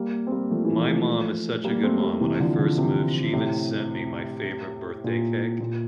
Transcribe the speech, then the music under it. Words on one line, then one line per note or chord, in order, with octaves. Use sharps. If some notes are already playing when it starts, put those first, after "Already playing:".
my mom is such a good mom. When I first moved, she even sent me my favorite birthday cake
Already playing: G3 A#3
C4
G3 A#3
F3 A3
E3 G3
F3 A3
F3 A3
G3 A#3
A3 C4
G3 A#3
C3 E3
D3 F3
D3 F3
C3 E3
A2 C3
A#2
A#2